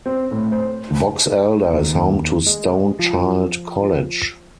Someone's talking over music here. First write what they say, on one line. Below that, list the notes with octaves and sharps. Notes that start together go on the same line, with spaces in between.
Box Elder is home to Stone Child College.
C4
A2
C5
D#2
G#3
F3